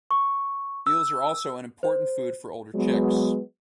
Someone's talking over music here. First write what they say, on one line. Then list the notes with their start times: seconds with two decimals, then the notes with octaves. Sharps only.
Eels are also an important food for older chicks.
0.11 C#6
0.87 E6
1.83 C5
2.75 F#3 G#3 B3